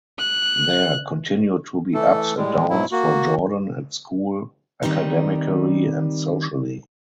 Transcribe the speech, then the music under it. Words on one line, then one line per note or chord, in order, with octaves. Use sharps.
There continue to be ups and downs for Jordan at school academically and socially.
F#6
E3 A3 A4
A2 G3 G#3
G#2 B2 F#3 E4
A#3 F#4
D#3 G3 A#3 C4 D#4